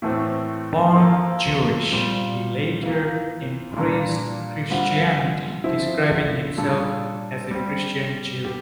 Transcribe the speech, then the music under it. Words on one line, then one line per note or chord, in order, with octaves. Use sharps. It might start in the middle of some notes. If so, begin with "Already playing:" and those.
Born Jewish, he later embraced Christianity, describing himself as a "Christian Jew".
A2 E3 A3 C4
F3 A#3 F4 A4
A#2 G3 C4 F4
E3 A#3 F4
A#2 G3 A#3 D4
D3 G3 C4 F4
F3 C4 E4
A#2 G3 D4 F4 A4
G3 C4 G4
G4